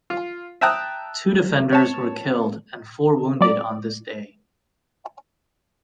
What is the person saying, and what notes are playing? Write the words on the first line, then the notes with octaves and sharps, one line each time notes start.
Two defenders were killed and four wounded on this day.
F4
E5 G5 A5 A#5 D#6 F#6
C#5 A5
F#3 D5